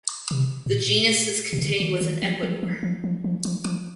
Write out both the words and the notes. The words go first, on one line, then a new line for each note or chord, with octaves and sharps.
The genus is contained within Ecuador.
C3
A2
A#2
C3
D3
D#3
D#3
F3
F3
F3
F3
F3
F3
F3
F3